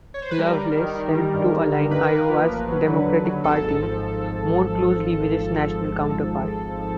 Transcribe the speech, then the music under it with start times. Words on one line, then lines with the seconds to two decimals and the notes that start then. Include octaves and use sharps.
Loveless helped to align Iowa's Democratic Party more closely with its national counterpart.
0.14 C#5
0.22 C5
0.31 B4
0.38 G3 A#4
0.57 G3
0.77 D#3
0.96 D#3
1.15 G3
1.34 G2
1.53 G2
1.72 D3
1.91 A#3 B4
2.03 A#4
2.10 A#3 B4
2.29 F3
2.49 A1
2.68 F#3
2.87 D3
3.07 D#2
3.25 F#3
3.44 G#1 A4
3.64 G#2
3.82 F3